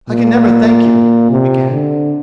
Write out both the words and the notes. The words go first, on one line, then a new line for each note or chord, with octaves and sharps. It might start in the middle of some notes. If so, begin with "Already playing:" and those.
"I can never thank you," he began.
A#2
C3
D3